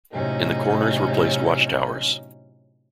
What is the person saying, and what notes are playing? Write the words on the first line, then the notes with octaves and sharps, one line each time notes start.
In the corners were placed watch towers.
A2 C3 F#3 C#4 D#4